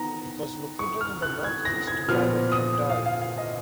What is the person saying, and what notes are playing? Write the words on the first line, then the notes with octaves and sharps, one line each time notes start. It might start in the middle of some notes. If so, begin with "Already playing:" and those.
It was located in the northeast part of Ontario.
Already playing: D#3 B3 A#5
C#6
F6
F#6
G#6
A#6
G#6
A#2 F3 B3 F6
D#6
F5
F5
F5
D#5